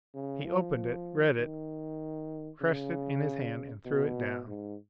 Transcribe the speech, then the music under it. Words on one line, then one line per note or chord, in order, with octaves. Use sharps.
He opened it, read it, crushed it in his hand and threw it down.
C#3
F3
D#3
C#3
B2
G#2